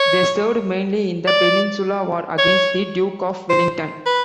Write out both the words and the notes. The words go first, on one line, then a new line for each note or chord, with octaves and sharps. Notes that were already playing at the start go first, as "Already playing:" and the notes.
They served mainly in the Peninsula War against the Duke of Wellington.
Already playing: C#5
D5
C#5
C5
B4